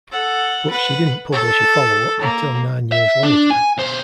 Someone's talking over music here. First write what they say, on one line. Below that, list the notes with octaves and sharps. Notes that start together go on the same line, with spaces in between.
But she didn't publish a follow-up until nine years later.
A4 F#5
B4 F#5
A4 A5
A#3
E5
D4
G#5
B1 C5